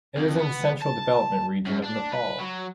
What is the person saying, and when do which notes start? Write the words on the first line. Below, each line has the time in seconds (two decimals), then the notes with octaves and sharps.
It is in the Central Development Region of Nepal.
0.17 F2
0.39 B3
0.82 A5
1.67 F#2
1.84 D4
2.13 B4
2.40 F#3